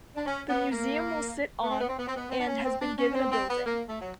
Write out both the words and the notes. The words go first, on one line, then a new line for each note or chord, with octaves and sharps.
The museum will sit on and has been given a building.
D4
C#4
B3
A#3
B3
C4
B3
C4
B3
C4
B3
C4
D4
C#4
C4
D4
C#4
C4
C4
B3
A#3
A3
F#3